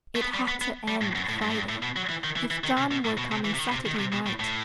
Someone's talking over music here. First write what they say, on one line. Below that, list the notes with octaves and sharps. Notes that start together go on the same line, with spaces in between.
It had to end Friday, if John were coming Saturday night.
A3
B3
G3
B3
B3
G3
A2
F#2
A2
G2
A2
G2
A2
B2
F#3
E3
D#3
E3
E3
D#3
C3
B2
A2
B2
C3
E3
C3
D#3
C3
D#3
C3
B2
A2
A2